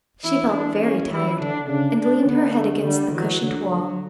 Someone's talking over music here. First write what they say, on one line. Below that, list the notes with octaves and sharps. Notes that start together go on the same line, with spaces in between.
She felt very tired, and leaned her head against the cushioned wall.
E3 E4
D4
C#4
E3 E4
D3 D4
C#3 D4
D4
D3 B3
A3
D3 G3
E3 F#3
D3
D3 F#3